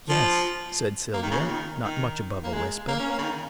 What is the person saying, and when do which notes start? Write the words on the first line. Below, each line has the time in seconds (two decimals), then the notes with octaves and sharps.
"Yes," said Sylvia, not much above a whisper.
0.09 F3
1.14 A#3
1.23 D#3
1.31 C#3
1.40 A#2
1.49 D#3
1.83 D#3
2.43 A#3
2.53 G#3
2.88 A#3
2.99 C#4
3.10 A#3
3.18 C#3
3.23 D#3